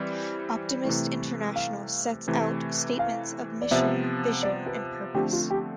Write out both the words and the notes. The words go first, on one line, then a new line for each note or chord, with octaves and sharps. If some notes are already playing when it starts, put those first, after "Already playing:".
Optimist International sets out statements of mission, vision and purpose.
Already playing: E3 G3 C4
C3 E3 A3 E4
F5
C3 E3 A3
F5
D5
C3 F3 B3 E5
D5
B4
D3 F3 A3 C4 G4
F4
G4